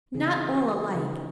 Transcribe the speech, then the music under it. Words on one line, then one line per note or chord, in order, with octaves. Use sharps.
'Not all alike.
C#3 E3 C4 D#4 G#4
F#4
C#3 E3 C4 D#4